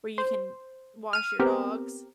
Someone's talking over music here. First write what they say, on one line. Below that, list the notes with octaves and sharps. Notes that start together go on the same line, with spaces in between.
where you can wash your dogs
C5
F6 D#7
B3 C4 G4 A#4